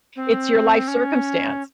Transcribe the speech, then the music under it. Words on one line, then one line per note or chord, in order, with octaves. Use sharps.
it's your life circumstance.
C4
C#4